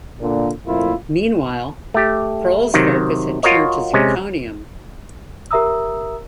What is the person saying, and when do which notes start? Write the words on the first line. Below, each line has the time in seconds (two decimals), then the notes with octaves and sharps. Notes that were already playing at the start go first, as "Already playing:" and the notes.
Meanwhile, Kroll's focus had turned to zirconium.
0.21 A#2 D3
0.66 F2 A#2 A3 A#3 E4 F4
1.94 A3 G4
2.74 C3 D#3 F#3 D#4
3.43 F4 F#4 A#4 C#5 D#5
3.94 C3 G#3 C#4
5.51 G4 A#4 E5 A#5 D#6 E6